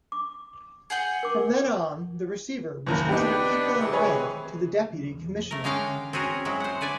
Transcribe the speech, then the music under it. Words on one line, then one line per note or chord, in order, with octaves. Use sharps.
From then on, the Receiver was considered equal in rank to the Deputy Commissioner.
D6
G#4 F#5 G5
A#4 D6
F#1 D#2 A#4
B3 D4 D#4 G4
C3 E3 G#3
G#4 B4 C#5
A3 A#4
D3 G#3 C#4 F5 G5
C4 C#4 F#4 G#4 A#4
F#3 G#3 E4
C5 F#5
D3 B4 D5 G#5